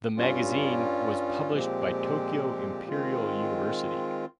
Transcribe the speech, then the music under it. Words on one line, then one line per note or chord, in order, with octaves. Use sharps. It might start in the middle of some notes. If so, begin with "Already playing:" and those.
The magazine was published by Tokyo Imperial University.
G2 G3 C#4 F4
A#2 F3 G#3 C4 G4
D#3 G#3 C4 F4